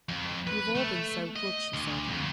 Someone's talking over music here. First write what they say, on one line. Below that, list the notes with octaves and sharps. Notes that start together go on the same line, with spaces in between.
"You've all been so good!" she said.
F2
B4
A3
D#5
D2
F2